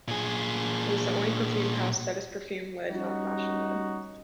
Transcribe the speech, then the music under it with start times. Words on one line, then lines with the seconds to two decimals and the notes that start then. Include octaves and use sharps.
It is the only perfume house that is perfume led, not fashion led.
0.08 A#2 G#4
2.91 G3 C#4 D#4 F#4